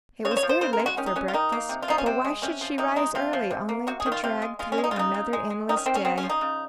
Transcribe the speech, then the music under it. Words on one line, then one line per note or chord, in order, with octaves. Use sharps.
It was very late for breakfast, but why should she rise early only to drag through another endless day?
C#3 C#5
C5
C#5
F3
C5
C#3 C5
A#4
G#3
F#4
D#3 C#4
D#4
F#3 C#4
F4
D#3 D#4
A#3
C3
F4
F3 D#4
C#4
C3 C4
G#3
C3 C#4
F3
C3 D#4
G#3 D#4
C3 F4
F3
C3
A#3
C3 F#4
G#4
D#3
F4
C3 F4
G#3
G#3 F4
C#4
G#3
D#4
F4
C#3 D#4
C#3
G#3
G#3
D#3 D#4
C#4
D#3 C4
C#4
C#3 C4
C#4
F3
D#4
C#3